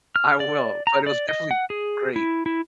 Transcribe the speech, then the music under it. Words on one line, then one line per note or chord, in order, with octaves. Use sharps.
I will, but it was definitely great.
F6
D5
A#5
D5
D#5
F#5
G#4
E4
E4